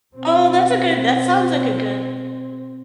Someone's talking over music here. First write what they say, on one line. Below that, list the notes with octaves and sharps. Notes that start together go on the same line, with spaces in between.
Oh, that's a good that sounds like a good
B2 C4